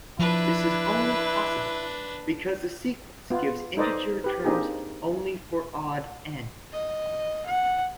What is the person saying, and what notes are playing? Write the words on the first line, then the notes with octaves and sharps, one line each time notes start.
This is only possible because the sequence gives integer terms "only for odd n".
F3 D4 E4 B4
B3 F4
D#4 A4 B4 C5 D5 D#5
G4 B4
A#3 C4 D4 D#4 G4 G#4
D#5
F#5